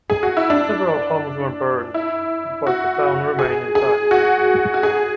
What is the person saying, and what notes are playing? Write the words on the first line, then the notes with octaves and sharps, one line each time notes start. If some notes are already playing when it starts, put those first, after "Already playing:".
Several homes were burned, but the town remained intact.
G#4
F#4
E4
D4
E4
F#4
G#4
G#4
F#4
F#4
G#4